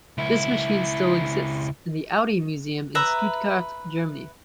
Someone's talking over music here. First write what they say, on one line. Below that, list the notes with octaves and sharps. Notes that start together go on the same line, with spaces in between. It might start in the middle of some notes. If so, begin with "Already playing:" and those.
This machine still exists, in the Audi Museum in Stuttgart, Germany.
C#2 E4
B4 E5 A#5